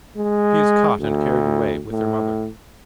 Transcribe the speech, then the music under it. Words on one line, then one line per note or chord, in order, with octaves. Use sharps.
"She is caught and carried away--with her mother."
G#3
D2
A2